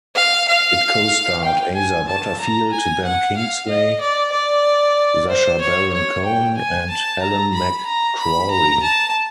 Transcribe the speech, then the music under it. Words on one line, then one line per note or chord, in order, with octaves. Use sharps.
It co-starred Asa Butterfield, Ben Kingsley, Sacha Baron Cohen and Helen McCrory.
F5
F5
G5
G#5
A5
A#5
G#5
F#5
F5
D#5
D5
D5
C5
C#5
C#5
G5
G#5
A5
A#5
B5
A#5
B5
A#5
A5